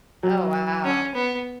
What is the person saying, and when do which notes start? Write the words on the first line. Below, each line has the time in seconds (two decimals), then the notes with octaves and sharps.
Oh, wow.
0.23 F#3
0.84 C#4
1.15 B3